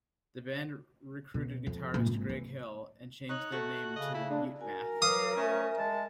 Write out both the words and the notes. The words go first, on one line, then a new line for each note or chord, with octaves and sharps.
The band recruited guitarist Greg Hill and changed their name to Mutemath.
B2
F2
A#2
G#1
E3
D#4 C#5 F#6
A3 F#4
C#3 D#5
E4
G#3 D4
F#4 A#4 G#5
F#3 B4 F5 D6 D#6
F3 A3 C#4 E5 G#5
G#3 A5